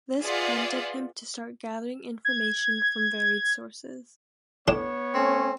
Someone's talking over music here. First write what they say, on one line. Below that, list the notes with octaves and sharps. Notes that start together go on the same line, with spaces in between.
This prompted him to start gathering information from varied sources.
F4 G#4 B4 D5 E5 F#5
G#6
A2 B3 D4 C#5
A3 C4 C#4